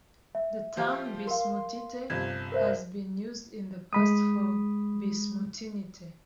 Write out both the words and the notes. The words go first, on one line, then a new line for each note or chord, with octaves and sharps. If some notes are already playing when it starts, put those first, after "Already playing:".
The term bismuthite has been used in the past for bismuthinite.
E5
F3 F4 G4
A#4 F5 C6
G1 C3 F3 G#6
A#4 C5 E5
G#3 B5 D#6